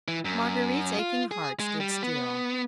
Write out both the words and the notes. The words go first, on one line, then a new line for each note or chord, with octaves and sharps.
Marguerite's aching heart stood still.
E3
F#2
F4
G#4
G#3
G3
B3